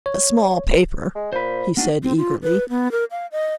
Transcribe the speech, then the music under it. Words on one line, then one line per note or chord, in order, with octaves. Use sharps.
"A small paper," he said eagerly.
C#5
G#3
A#2 C5 B5
A#3 D4 D#4 F#4
C4
F4
B4
B3
A#4
F5
D#5